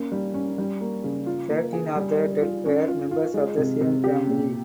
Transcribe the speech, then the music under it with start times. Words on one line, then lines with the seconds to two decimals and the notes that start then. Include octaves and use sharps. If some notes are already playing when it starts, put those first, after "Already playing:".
Thirteen of the dead were members of the same family.
Already playing: A#3 C#4
0.12 G3
0.34 C#4
0.58 G3
0.81 A#3
1.04 C#3
1.26 F4
1.50 A#3
1.73 G#4
1.96 G3
2.19 G3
2.42 F4
2.65 C#4
2.88 F4
3.11 F4
3.34 G#3
3.58 C3
3.81 C3
4.04 G4
4.27 A#2